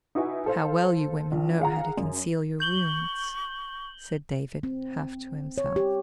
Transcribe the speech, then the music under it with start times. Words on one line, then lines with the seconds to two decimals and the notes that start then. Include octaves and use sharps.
"How well you women know how to conceal your wounds," said David, half to himself.
0.15 D#4 E4 F#4 B4 G#5
0.46 A4 C5 F5
1.32 A#1
1.60 G#4 F5 F#5 A#5
1.97 F#2
2.60 C#6 G6 F#7 G7
4.63 C4
5.58 C#5
5.76 G4